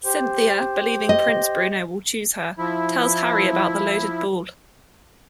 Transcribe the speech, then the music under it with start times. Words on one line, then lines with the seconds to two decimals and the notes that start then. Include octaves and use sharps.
Cynthia, believing Prince Bruno will choose her, tells Harry about the loaded ball.
0.05 G4 C5
1.09 D#5
2.58 F3 E4